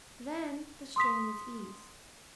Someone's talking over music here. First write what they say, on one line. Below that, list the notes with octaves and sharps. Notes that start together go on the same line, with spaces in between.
Then the strain is eased.
C6 D#6 B6